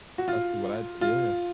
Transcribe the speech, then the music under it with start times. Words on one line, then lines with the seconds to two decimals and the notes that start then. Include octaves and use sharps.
that's to what I yeah.
0.18 F#4
0.28 F4
1.01 F4